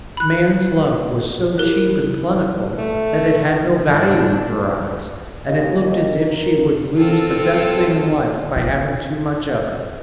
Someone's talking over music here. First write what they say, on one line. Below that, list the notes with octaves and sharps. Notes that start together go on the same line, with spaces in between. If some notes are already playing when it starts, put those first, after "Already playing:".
Man's love was so cheap and plentiful that it had no value in her eyes, and it looked as if she would lose the best thing in life by having too much of it.
B5 F#6
E4 G4 A#4 F#6
A3
G#2 D4
D#2 D#5
A#4
C4 F4 A4
F4